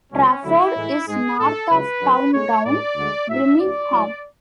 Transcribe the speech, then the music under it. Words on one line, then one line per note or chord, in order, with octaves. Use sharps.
Trafford is north of downtown Birmingham.
C#2 B2 F#3 C#4
D2 D3 F#3 E4
A2 E3 G#3
G#2 G#3 G#4
A2 G#3 A4
C#2 C#3 F#3 B4
F#2 D3 F#3
A2 G#3 C#5
A2 E3 G#3 D5
D2 D3 G#3
A2 F#3 E5
C#2 C#3 E3 D5
A2 F#3